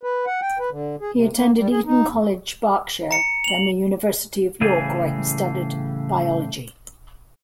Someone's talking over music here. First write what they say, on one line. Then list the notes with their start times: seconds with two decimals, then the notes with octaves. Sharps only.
He attended Eton College, Berkshire, then the University of York, where he studied Biology.
0.03 B4
0.26 F#5
0.42 G5
0.59 B4
0.71 D3
1.01 G#4
1.14 C3
1.34 A#3
1.57 G3
1.71 G#4
1.85 D#4
2.08 E2
3.11 A#5 C#7
3.44 F7 F#7
4.61 A2 C#3 E3 G3 G#4 G#5